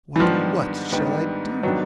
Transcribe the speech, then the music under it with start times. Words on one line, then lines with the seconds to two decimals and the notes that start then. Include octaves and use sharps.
'What, what, shall I do!'
0.16 E3
0.19 G#2 D#3 F3 G3 B3 D4
0.92 G#2 D#3 G3 B3 D4
1.63 D#3 F#3 G3 B3 D4